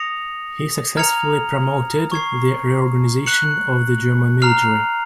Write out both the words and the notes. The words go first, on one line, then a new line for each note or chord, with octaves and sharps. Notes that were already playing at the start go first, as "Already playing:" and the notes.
He successfully promoted the reorganization of the German military.
Already playing: D#6 A#6 C#7 F7
A#5 F6 G#6 C#7 F7
C#6 G#6 C7
F#6 C#7 F#7
A#5 F6 C7 F7